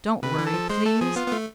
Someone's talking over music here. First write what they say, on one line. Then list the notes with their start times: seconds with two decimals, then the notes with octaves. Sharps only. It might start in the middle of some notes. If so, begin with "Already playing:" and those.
Don't worry, please.
0.23 C3 B4
0.39 E3
0.47 A4
0.54 F3
0.70 G#3 C5
0.85 A3 A4
1.01 F3 G#4
1.16 B3 F4
1.27 B3
1.32 A3